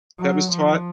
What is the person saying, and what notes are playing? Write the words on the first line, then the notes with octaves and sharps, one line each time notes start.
that was taught.
F#3
F3